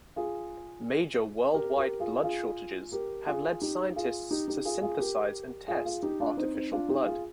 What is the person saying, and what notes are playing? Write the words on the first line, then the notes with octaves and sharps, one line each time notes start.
Major worldwide blood shortages have led scientists to synthesize and test artificial blood.
F4 G#4
G4 A#4
G4 A#4
F4 G#4
F4 G#4
G4 A#4
F4 G#4
D#4 G4
F4 G#4
D#4 G4
D#4 G4
F4 G#4
F4 G#4
G4 A#4
F4 G#4
F4 G#4
D#4 G4
D4 F4
C4 D#4
C4 D#4
D4 F4
D#4 G4
F4 G#4